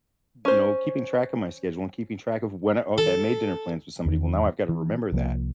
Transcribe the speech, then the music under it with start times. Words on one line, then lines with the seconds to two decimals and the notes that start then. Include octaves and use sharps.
you know keeping track of my schedule and keeping track of when I okay, I made dinner plans with somebody, well, now I've got to remember that,
0.45 C#4 C5
2.98 A4
4.06 E2 D#3
4.69 E3
5.12 C2 F3 F#3 A#3